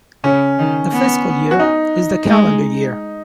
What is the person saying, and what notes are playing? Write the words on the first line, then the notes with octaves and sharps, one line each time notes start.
The fiscal year is the Calendar year.
C#3 C#4
D#3
B3
F#4
D#4
G#3